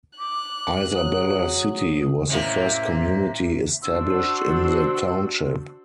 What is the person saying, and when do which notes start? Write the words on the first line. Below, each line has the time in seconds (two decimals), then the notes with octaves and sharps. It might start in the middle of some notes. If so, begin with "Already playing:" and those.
Isabella City - was the first community established in the township.
0.19 D6 F#6
0.95 F#3 G#4 D#6
2.29 A2 C3 A#3 C#4 D#5 E5
3.82 D4 F#4 C5 E6